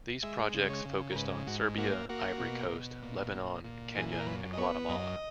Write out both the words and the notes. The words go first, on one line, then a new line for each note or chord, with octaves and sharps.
These projects focused on Serbia, Ivory Coast, Lebanon, Kenya and Guatemala.
G#3 E5
C#3
C#5
C#3
A#4
G#2 B4
G#2 F#4
A#3 F#4
A#3 F#4
B2
B2
A#2
A#2
A#2
E3 G#4
G#4
A#4
F#2 B4
D#5
B3 C#5
F#2 D#5